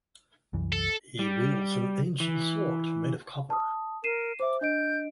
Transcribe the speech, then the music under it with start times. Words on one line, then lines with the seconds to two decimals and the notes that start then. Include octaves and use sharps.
He wields an ancient sword made of copper.
0.53 C2 F#2 E3
0.72 A4
1.19 G3
2.20 E3
3.50 A5 D#6
4.04 A#4 C7 D#7 E7
4.40 C5 E5 D6
4.61 D4 D#5 G6 D7